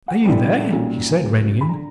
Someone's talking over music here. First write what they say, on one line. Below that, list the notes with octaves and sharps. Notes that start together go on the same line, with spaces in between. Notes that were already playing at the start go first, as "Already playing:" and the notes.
"Are ye there?" he said, reining in.
F#5
A#1 A2 E3 G3 B3
B1 A#2 G3 A#3 C#4
C#2 C#3 F#3
B5
D3 A#5